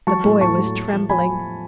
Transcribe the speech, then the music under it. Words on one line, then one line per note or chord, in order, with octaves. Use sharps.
The boy was trembling.
F#3 A5 C#6
A2
A2 A5 C#6
F#3
A3
F3
F3 G#5 B5